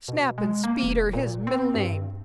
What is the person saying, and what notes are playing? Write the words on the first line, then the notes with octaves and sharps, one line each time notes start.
Snap and speed are his middle name!
B2
G#3
A#3
E1
A#2
C4
G2